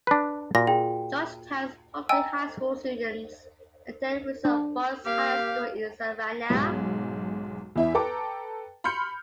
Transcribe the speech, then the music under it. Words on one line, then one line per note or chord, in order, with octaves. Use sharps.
Georgetown's public high school students attend Windsor Forest High School in Savannah.
D4 B4
A#2 F#4 A#6
F4 G#4 G5
D#5 G5 G#5 A#5 E6
D4
A#3 G4 F5
B1 G#2
E2 E4 E5
A4 B4 G5 A#5 D6
B5 C6 F6 G6 C#7